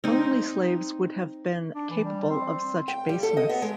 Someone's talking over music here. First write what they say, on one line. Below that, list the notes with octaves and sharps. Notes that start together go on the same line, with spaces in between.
Only slaves would have been capable of such baseness.
C4 D#4
D4
E3
G3
C4
G5
G3
A4
D#5
B3
G#3